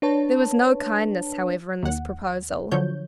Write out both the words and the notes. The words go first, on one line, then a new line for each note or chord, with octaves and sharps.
There was no kindness, however, in this proposal.
D4 B4 C#5 A5
D#2 F#5
D3 F3 F#3 C#5 G6